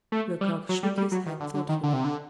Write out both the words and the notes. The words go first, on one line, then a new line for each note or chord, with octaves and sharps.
Lecoq shook his head thoughtfully.
A3
G3
F#3
G3
G3
F#3
D#3
D3
D3
D#3
D3
C3
D3